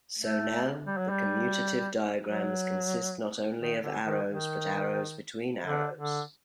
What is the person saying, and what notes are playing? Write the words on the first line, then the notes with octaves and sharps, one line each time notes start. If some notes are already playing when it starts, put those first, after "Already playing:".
So now the commutative diagrams consist not only of arrows, but arrows between arrows.
A3
G3
F#3
G3
F#3
D#3
D3
D#3
D#3
D3
D3